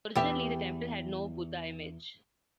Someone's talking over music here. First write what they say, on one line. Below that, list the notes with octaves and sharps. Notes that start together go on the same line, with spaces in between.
Originally the temple had no Buddha image.
E2 G4 E5